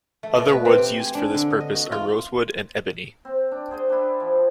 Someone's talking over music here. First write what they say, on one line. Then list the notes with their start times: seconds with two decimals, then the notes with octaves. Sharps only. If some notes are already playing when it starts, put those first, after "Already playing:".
Other woods used for this purpose are rosewood and ebony.
0.23 A3
0.38 B2
0.53 B4
0.65 C4
0.78 G4
0.99 G#5
1.15 D4
1.35 D3
1.60 D#5
1.75 F#4
1.92 F4
3.25 C4
3.52 D4
3.71 G#4 C5 G5
3.90 D4 E4
4.20 F3